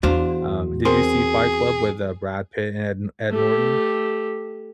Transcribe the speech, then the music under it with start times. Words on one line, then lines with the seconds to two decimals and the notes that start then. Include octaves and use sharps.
Um, did you see Fight Club with, uh, Brad Pitt, and Ed Ed Norton?
0.03 E2 D4 F#4 C5 F5
0.85 C4 G#4 A#4 C6
3.30 A3 G4